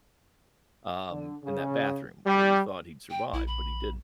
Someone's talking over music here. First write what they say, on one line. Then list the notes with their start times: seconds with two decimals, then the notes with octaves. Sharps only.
um, in that bathroom where we thought he'd survived, but he didn't,
1.11 D3
1.43 C#3
2.25 G3
3.10 G5
3.33 A#1 E4
3.47 B5